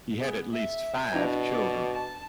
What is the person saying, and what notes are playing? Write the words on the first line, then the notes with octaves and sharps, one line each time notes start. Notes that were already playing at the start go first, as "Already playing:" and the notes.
He had at least five children.
B3 G#4
E5
B2 D4 E4 A#5
D5
A5